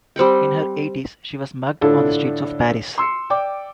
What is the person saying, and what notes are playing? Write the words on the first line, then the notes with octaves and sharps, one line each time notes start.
In her eighties she was mugged on the streets of Paris.
G3 C4 F#5 G5
A2 D3 D4 E4 F4 A4
C6 E6 C#7
D5 G5 D6